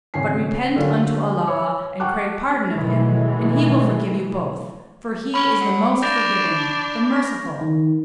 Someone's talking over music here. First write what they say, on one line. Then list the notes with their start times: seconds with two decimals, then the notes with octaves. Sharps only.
But repent unto Allah and crave pardon of Him, and He will forgive you both, for He is the Most Forgiving, the Merciful.
0.14 G#1 C#3 C#4 G#5 C7
0.76 D3 F#3 A#3 C#4 F4 G4
1.48 C#5
2.00 F#5 G5 A5 C#6 D6 F#6
2.74 B2 D#3 E3 F#3 G#3 A3
5.34 C#4 B5 D7
5.60 F#3
6.02 D4 G6 A#6 F7
7.13 C#6 A#6
7.61 D#3